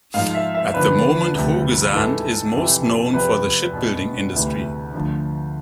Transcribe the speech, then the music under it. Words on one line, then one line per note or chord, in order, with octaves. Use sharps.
At the moment Hoogezand is most known for the shipbuilding industry.
G#2 F3 F5
E5
E5
E2 D3 F3 B4
D2 C3 F3
G#2 E3 A4
F2 C3 E3
E2 C3 F3 B4
E2 B2
D2 C3 E3
D2 D3 F3